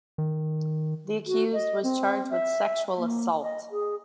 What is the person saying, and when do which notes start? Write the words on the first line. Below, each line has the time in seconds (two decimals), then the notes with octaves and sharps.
The accused was charged with sexual assault.
0.18 D#3
1.27 F#4
1.53 D#5
1.83 C4
2.31 E5
2.98 A#3
3.42 D#5
3.71 G#4